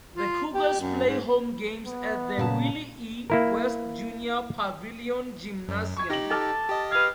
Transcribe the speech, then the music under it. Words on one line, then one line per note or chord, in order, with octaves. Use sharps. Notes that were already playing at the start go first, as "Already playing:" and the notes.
The Cougars play home games at the Willie E. West Junior Pavillion Gymnasium.
F4
G4
F#2
G#2
B3
A#2 C#3 A5
A#3 E4 A#4
F#2
C#6 G#6
D#4 G4 A#6 F#7
A4 A5 D6 F6
G4 D#5
B4 F5 G#6